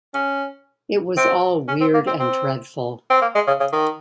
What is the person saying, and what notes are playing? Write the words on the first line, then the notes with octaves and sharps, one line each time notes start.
It was all weird and dreadful.
C#4
C4
C#4
C4
A#3
C4
C4
C4
A#3
G#3
C#3
C#3
D#3